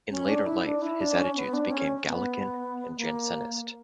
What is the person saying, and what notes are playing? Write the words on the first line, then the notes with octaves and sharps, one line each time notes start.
In later life his attitudes became Gallican and Jansenist.
C#4
D4
E4
D4
E4
D4
C#4
B3
D4
B3
C#4
B3
A#3